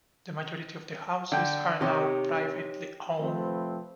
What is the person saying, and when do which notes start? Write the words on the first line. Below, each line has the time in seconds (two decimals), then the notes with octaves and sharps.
The majority of the houses are now privately owned.
1.32 D3 G5
1.81 C3 D#4 G4 C#5
3.20 C3 F3 A3 C4 B4 C5